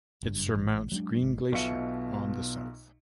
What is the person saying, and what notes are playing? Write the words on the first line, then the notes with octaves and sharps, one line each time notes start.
It surmounts Green Glacier on the south.
F#1 G2
A1
F#3 G#3 C#4 D4
G#1 G#2
B1 B2 F4 E5 C#7